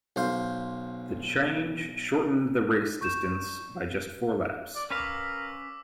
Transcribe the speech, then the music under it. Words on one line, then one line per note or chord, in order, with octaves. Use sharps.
The change shortened the race distance by just four laps.
B1 C5 F5
C#6 G6 E7
D5
C#4 A#4 B4 F5 D6 E6 B6